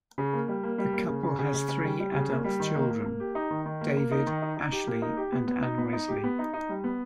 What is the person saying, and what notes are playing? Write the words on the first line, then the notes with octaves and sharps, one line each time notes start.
The couple has three adult children: David, Ashleigh, and Anne-Wesley.
C#3
A#3
G3
A#3
G3
A#3
C#3
C#3
C#3
C#3
C#3
G3
G3
C#3
A#3
G3
D#3
A#3
A#3
A#3
G4
D#4
D#3
D#3
A#3
A#3
D#4
D#3
D#4
D#4
G4
A#3
D#4
G4
B3
B3
D#4
B3
D#4
G4
B3
D#4
D#4
G3
B3